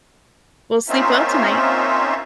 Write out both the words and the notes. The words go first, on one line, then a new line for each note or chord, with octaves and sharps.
Well, sleep well tonight.
A#3 C4 C#4 D#4 F4 E5